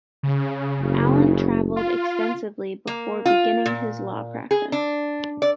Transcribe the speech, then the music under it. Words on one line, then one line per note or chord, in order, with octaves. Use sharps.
Allan travelled extensively before beginning his law practice.
C#3
F#1
F4
A#3
F4
A#2
G#4
D4
D5